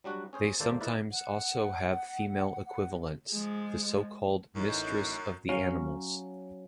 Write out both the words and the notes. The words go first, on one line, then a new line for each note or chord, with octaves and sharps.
They sometimes also have female equivalents, the so-called Mistress of the Animals.
F#3 G3 D4 F#4
C#4 G#4 C5
G#1 D#2 A#3 A4 C5 D5
D#4 E4 A#4 B4 D5
F#5
F#5
F3 G#3
A1 F#2 D#4
F#3 C#4 F5